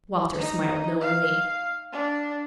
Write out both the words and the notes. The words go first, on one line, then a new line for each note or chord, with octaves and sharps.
Walter smiled knowingly.
D#4
F5
D4